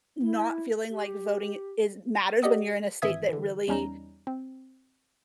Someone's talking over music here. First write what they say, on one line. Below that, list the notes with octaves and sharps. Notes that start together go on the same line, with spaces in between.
not feeling like voting is matters when you're in a state that really
E4
G4
G4 A4 D5 D#5 F#5 D#6
G#1 E3 E5 D#6 G#6
D3 E3
E2 G3 C#4 D#4 A#5
C4